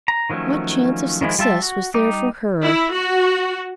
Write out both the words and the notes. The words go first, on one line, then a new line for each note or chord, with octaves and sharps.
What chance of success was there for her?
A#5
D#3 F3 F#3 A3 C#4
D#3 F3 G#3 E4
G3 F4 E5 A5
F#4
G3 D#4 D6
E4
F#4